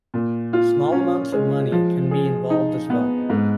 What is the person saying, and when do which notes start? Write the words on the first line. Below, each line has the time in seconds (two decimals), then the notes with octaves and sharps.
Small amounts of money can be involved as well.
0.14 A#2
0.53 F4
0.92 C#4
1.32 G#3
1.72 F3
2.11 G#4
2.50 D#4
2.90 B3
3.30 G#2